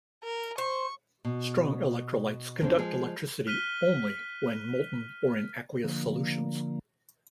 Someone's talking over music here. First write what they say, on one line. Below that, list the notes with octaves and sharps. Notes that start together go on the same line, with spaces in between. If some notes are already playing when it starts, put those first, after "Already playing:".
Strong electrolytes conduct electricity "only" when molten or in aqueous solutions.
A#4
C5 C#6
B2
E2 D3 C4
F3 G#3 G#4
F6 F#6 B6 D#7 G7
D3 F3 A#3